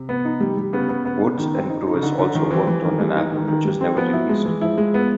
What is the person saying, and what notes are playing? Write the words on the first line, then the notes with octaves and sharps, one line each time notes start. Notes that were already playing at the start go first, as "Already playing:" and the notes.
Woods and Brewis also worked on an album which was never released.
Already playing: C3
B3
D#4
G3
G3
C#3 B3
B3
B3
B3
D#3
C4
D#4
D#4
C#3
D3 D#4
D3 D#4
D#3 D#4
F3
E3 C4
F3
E3 G3
D#3
G3
D#4
D#3
D#3
G3
C4
F3 B3
F#3 E4
F3 G#3
E3 G#3
F3 E4
G#3
B3